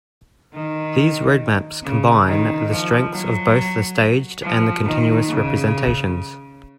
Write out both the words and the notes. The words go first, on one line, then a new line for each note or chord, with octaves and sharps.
These roadmaps combine the strengths of both the staged and the continuous representations.
D#3
C#3
D#3
F3
F#3
F3
D#3
C#3